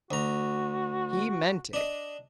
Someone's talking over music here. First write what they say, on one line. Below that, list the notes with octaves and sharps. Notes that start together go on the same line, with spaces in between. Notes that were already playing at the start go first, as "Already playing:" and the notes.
He meant it.
D2 F#4 A#5
D4 D#5